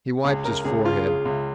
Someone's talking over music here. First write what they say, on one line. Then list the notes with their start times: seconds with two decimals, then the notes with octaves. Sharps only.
He wiped his forehead.
0.24 C#2 G#4
0.44 C#3 A#4
0.64 C#2 G#4
0.85 C#3 F4
1.05 C#3
1.25 C#2